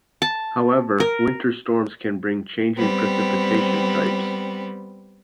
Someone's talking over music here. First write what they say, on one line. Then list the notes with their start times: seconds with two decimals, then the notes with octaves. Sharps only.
However, winter storms can bring changing precipitation types.
0.22 A5
1.00 A#4
2.77 G3 B3 C4